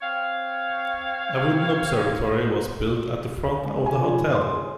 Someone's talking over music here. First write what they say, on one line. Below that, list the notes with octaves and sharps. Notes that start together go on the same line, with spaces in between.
A wooden observatory was built at the front of the hotel.
C4 C#5 F5
G#3
G#5
F3
G#2
C6
G#4